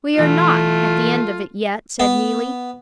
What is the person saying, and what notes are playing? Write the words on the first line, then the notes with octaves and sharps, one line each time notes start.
"We are not at the end of it yet," said Neelie.
B1 E3 A3 F4
B3